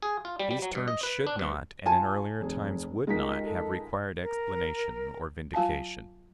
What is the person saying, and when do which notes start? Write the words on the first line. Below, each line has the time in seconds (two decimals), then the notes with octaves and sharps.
These terms should not, and in earlier times would not, have required explanation or vindication.
0.02 G#4
0.25 F4
0.40 G3
0.51 G3
0.62 F#3
0.75 G2
0.88 D#5
1.03 B4
1.27 D4
1.39 G2
1.86 F4 G#5 A5
2.41 F1 G#4
3.07 C#2 G#3 D#4 G4 A#4 B6
3.46 A4
4.22 A#4
5.54 F#3 F4 F5 G#5 A5